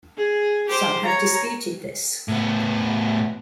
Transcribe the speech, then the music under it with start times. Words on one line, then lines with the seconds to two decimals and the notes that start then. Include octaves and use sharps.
Some have disputed this.
0.17 G#4
0.68 G4 C5
1.05 C#5 A#5
2.28 A2 B3